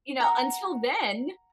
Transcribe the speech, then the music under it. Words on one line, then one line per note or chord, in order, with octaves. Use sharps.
you know, until then,
F#5 A#5